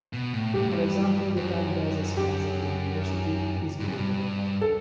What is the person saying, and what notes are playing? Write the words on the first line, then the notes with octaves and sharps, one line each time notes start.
For example the time Besa spends at the university is believable.
B2
A2
G2 G4
A2
G2
F#2
G4
G2
F#2
G2
A4